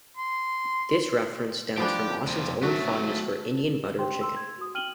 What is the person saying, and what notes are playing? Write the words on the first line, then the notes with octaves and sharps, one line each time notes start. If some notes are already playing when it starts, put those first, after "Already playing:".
This reference stems from Austin's own fondness for Indian buttered chicken.
C6
F3 B3 D4 G4
F2 C3
F#3 A3 F#4
G4 C5 G5 C6
C6 E6
G#6
F#4 D#6
G5 F6 D#7 F#7 G7